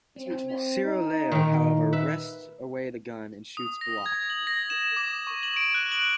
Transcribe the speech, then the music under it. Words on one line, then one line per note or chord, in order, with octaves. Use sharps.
Siroleo, however, wrests away the gun and shoots Block.
C4
D#4
A#2 D#3
B4 E5
D#6
A#6
G#6
F#7
A#6
E7
D6
C#6
F#7
D7
F#6
F#7